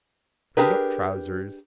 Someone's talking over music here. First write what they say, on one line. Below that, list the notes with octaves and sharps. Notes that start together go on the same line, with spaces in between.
Turnedup trousers.
D4 G4 G#4 A#4 B4